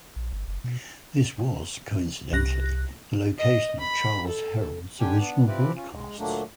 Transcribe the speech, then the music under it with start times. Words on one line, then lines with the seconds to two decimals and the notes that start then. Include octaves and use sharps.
This was, coincidentally, the location of Charles Herrold's original broadcasts.
0.16 A#1
0.33 G1
0.48 F#1
0.64 B2
2.33 C2 F#6 A#6
3.39 D#5
3.80 B5
4.27 A4
5.00 D3 D4 G4 G5 G#5
5.18 B3 D4
5.47 F3 C4 E4 G4 B4 D5
5.76 C#4 F4
5.94 G#3
6.19 D2 A#2 F#3 A3 A#3 D4